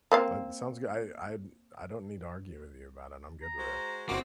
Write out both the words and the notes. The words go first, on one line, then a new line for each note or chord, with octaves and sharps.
That sounds goo I I I don't need to argue with you about it, I'm good with it.
A#3 C4 F5
A#5
G#3 F#4 C5
G1 A2 A#3 C4 F#4 D6